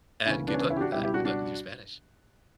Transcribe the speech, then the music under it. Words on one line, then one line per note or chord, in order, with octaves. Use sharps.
And good luck with that. Good luck with your Spanish.
E1 D2 C#3 E3 C#4 E4
B3 D4
C#4
B3 D4
C#4 E4
G4
D4 F#4
C#2 B2 G3 E4 G4
E4 G4
D4 F#4
D4 F#4